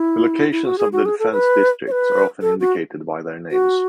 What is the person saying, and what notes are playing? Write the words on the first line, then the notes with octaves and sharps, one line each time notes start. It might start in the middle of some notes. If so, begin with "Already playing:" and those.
The locations of the defence districts are often indicated by their names.
Already playing: E4
E4
F#4
G#4
F#4
G#4
A4
B4
C#5
B4
A4
F#4
F#4